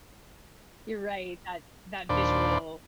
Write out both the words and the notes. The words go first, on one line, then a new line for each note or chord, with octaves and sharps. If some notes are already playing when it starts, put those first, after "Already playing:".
You're right, that that visual
D#2 A#2 D4 C5 D5 B5